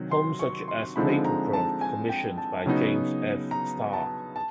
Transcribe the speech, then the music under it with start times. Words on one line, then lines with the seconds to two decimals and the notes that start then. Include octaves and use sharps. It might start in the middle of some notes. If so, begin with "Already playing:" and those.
Homes such as "Maplecroft", commissioned by James F. Starr.
Already playing: C3 D#3 F#3
0.11 C6
0.39 C#6
0.68 C6
0.96 D3 F3 G#3 C4 D#4 B5
1.25 A#5
1.53 A5
1.81 G#5
2.09 G5
2.38 A5
2.66 C#3 F#3 B3 D#4
3.51 A#5
3.93 A5
4.36 A5